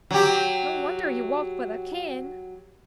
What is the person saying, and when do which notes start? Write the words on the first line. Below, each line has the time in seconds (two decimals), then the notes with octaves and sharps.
No wonder he walked with a cane!
0.11 F#3 G4